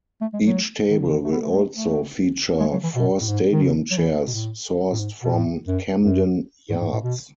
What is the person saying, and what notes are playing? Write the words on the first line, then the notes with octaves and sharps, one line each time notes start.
Each table will also feature four stadium chairs sourced from Camden Yards.
A3
G#3
F#3
D#3
C#3
D#3
A3
B3
A3
G#3
A3
A3
G#3
F#3
E3
B2
A2
G#2
D#3
C#3
F#3
E3
B2
A2
A2
G#2
B2
A2
F#2
F#2
G#2
G#2
A2
B2